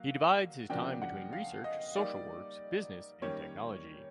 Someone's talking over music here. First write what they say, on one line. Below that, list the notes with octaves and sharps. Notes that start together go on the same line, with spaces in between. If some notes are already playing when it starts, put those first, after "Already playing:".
He divides his time between research, social works, business and technology.
Already playing: F#3 A#3 F5
C#3 F3 A#3 D4 F#4 G5
F#5
F5
D#5
G3 A#3 D#4 D5
D#3 G3 A#3 C#4 C#5